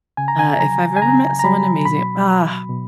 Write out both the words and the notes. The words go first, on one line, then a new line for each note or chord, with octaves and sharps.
Uh, if I've ever met someone amazing ah,
C#3 G#5
A#5
G#5
F#3 A#5
G#5
C#3 A#5
A#5
F#3 B5
B2 B5
F#3
B2